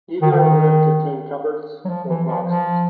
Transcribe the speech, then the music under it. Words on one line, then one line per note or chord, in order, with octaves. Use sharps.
Neither of them contain cupboards or boxes.
D#3
D3
D#3
F#3
F3
E3
F3
F3